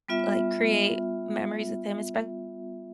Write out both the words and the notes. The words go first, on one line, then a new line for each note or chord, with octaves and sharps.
like create memories with him, espe
G3 B3 F4 E5